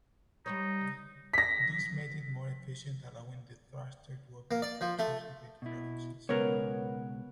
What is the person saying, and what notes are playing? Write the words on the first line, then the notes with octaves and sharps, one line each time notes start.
This made it more efficient allowing the thruster to operate at two separate frequencies.
G3 D#4 C5 C#5
A#6 B6
A#3
D5
F3
A3
B2 E4
B1 C#3 G#3 B3 A#4 C#5